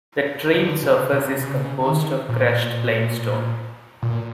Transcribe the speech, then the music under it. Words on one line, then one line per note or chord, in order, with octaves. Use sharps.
The trail surface is composed of crushed limestone.
D3
C#3
C3
C#3
D3
D#3
A#2
A#2